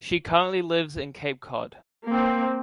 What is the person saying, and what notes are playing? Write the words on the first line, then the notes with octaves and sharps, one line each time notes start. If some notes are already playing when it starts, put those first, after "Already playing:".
She currently lives in Cape Cod.
A#3 C4